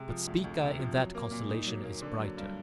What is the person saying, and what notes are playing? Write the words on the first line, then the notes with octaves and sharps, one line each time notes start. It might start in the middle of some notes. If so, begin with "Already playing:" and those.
But Spica in that constellation is brighter.
Already playing: C3 G#3
F3
D2
D2
C3
F3
F#3
A#3
A#2
D#4
F#3
A#3
D3
F#3
G2